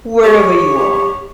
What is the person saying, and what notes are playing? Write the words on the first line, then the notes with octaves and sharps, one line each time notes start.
Wherever you are!
G4 C#5